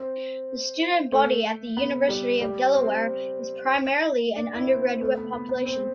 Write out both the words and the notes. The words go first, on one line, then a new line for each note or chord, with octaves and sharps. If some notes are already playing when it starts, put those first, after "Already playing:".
The student body at the University of Delaware is primarily an undergraduate population.
Already playing: C4
A3
B3
G3
G3
C4
D4
E4
D4
C4
A3
B3
B3
B3
C4